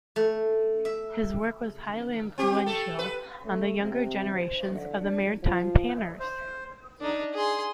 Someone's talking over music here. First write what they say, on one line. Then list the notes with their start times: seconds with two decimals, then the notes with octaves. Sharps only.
His work was highly influential on the younger generation of maritime painters.
0.16 A3
0.85 E5
2.38 C4 G4
2.66 A3 A4
2.99 B4
3.46 A3
3.80 C3
4.35 C5
4.71 D3
5.01 D4
5.43 F3
6.20 C5
7.01 D4 D#4
7.33 G#4 C6